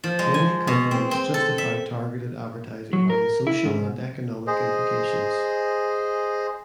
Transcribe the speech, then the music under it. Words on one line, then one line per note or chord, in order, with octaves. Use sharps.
Many companies justify targeted advertising by the social and economic implications.
F3
G#3
G#5
B2
C4
C4
A4
E5
F#3
A#4
E4
G#2
G#4 C5 D#5